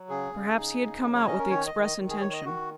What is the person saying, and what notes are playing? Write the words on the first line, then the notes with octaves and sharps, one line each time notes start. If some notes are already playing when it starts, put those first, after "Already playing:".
Perhaps he had come out with the express intention.
Already playing: F#3
C#3 G#4
C#3
D#4
C#3
F#3
C#5
C#4 D#5
A#4
D#3 C#5
D#5
D#3
D#5
D#3
G#4
D#3 C#5
D#5
D#3 F#4